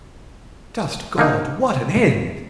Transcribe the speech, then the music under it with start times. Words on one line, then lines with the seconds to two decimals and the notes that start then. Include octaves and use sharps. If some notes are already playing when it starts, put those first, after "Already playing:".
Just God, what an end!
1.18 D3 A#3 D#4